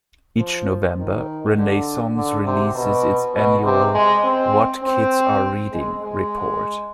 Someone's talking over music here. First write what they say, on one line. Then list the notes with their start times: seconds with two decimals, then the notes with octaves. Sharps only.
Each November, Renaissance releases its annual "What Kids Are Reading" report.
0.37 F3
0.97 D#3
1.57 D3
2.15 D3
2.45 C3
2.75 B2
3.34 B2
3.64 C3
3.94 G#3
4.24 C4
4.84 C4
5.72 G#3
6.02 G#3